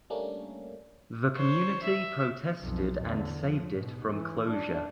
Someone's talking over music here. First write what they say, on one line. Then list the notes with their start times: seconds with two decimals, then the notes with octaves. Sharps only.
The community protested and saved it from closure.
0.10 G3 A3 A#3 C#4 D4
1.36 C5 C#5
1.83 E5
2.61 B1 F2
3.01 E2 D3
3.40 F3
3.73 G#2 B2
4.10 E3
4.49 D4